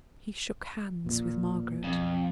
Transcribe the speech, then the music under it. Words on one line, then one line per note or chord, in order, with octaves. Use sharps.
He shook hands with Margaret.
E1 A#1 A#2
B1 F2